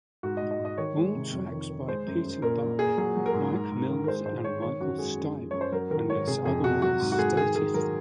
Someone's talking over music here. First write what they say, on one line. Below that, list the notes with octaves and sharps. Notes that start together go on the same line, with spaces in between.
All tracks by Peter Buck, Mike Mills, and Michael Stipe unless otherwise stated.
G#2 F#4
D#5
G#2
D#5
G#2
D#5
D#3 C#5
G#3
C3
F2
D#3
D#3
G#3 C5
F#2
F#2
A#2 A#4
A#2
A#2 G#4
F#3 G#4
F#3
A#4
G#2
G#2
G#2
D#3
A#4
G#3 C5
G#2 C5
G#3 C#5
D#3 C#5
F#2 F#4
G#3 G#4
F#2
F3
F#2 C#5
C5
F#3 A#4
D#3 A#4
G#2 C#5
C3 G#4
F2 G#4
C3 F#4
F#3 F#4
G#2
F#4
G#2 G#4
D#3 G#4
D#3 G#4
F#3 A#4